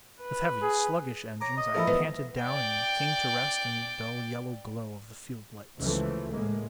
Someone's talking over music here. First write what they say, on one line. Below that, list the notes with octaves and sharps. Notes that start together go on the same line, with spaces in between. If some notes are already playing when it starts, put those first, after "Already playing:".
With heavy, sluggish engines I panted down and came to rest in the dull yellow glow of the field lights.
B4
G#4
C#5 A#5 D6
D#5
E3 F3 A3 E4 A4 A#4
B3
D5 G5
C#2 E3 F3 A3
A2 G#3 A#3